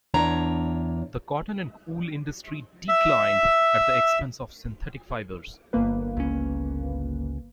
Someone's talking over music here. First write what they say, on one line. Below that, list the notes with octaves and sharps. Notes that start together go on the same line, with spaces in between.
The cotton and wool industry declined at the expense of synthetic fibers.
E2 D4 C#5 A#5
E5 E6
G1 A#3 B4
C#2 C#4